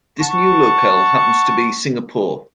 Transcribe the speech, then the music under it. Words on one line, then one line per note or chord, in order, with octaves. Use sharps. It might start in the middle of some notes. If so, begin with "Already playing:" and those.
This new locale happens to be Singapore.
F#5 A5 C#6